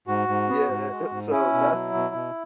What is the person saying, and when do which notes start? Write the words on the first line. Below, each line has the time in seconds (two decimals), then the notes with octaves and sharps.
yeah, so that's
0.07 G#2 F#4
0.28 G#2
0.48 B3
0.69 G#2
0.91 G#3
1.11 G#2
1.31 C#4 E4
1.53 B2
1.73 F#3
1.94 B2
2.14 B2